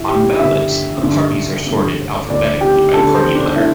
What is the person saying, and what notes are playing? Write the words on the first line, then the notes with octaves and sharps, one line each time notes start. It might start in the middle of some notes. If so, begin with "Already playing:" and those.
On ballots, the parties are sorted alphabetically by party letter.
Already playing: G2 D3 E4
G4
G2 D3 E5
G2 D3
G2 D3
D2 D3 D5
G4
D2 D3 A4
C5
D4
D3 E4